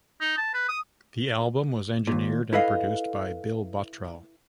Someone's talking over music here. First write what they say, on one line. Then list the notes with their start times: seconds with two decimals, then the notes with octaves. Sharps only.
The album was engineered and produced by Bill Bottrell.
0.21 D#4
0.37 A5
0.54 B4
0.69 D#6
2.07 D#2 A#2
2.53 E4 A4 B4 D#5 F5